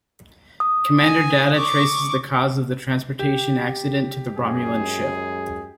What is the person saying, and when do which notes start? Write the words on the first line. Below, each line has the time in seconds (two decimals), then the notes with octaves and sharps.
Commander Data traces the cause of the transportation accident to the Romulan ship.
0.60 D#6
1.01 G#5
1.56 C#6 D6
3.19 G4
4.36 F#2 G#3 G#4